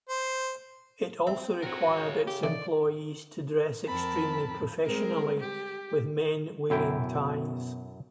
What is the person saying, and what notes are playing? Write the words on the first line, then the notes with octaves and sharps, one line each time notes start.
It also required its employees to dress extremely professionally, with men wearing ties.
C5
C4 E5
C4 F#4 A#4 C#5
C#3
G4
C3 E3 D#4 D5
F2 C4 A#4 A5 B5
G3 G#3 C4 A#4
G4
F#2 B2 E4 G5